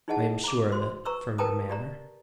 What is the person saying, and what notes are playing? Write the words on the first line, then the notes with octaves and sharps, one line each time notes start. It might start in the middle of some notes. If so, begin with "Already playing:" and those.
I am sure of it, from your manner.
D#4 E4 G#4 D#5 F#5 A5
A#5 D6
F#4 C5 C6
B4 A#5 C#6 E6
A#4 B4 G5 A5 A#5 D#6
G4 D5 A#5